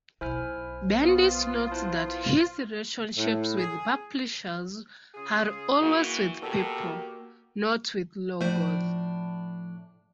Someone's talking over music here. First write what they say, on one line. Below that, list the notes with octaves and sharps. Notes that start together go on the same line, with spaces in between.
Bendis notes that his relationships with publishers are always with people, not with logos.
B1 E4 C5 G#5 F6
B3 F4 D#6
E4 C5 A5
A2
G#4
C#3 F4 G#4
E3 A#3 F#4
B2 G4 A4 A#4 D6
A2 F3 A3 D4 C5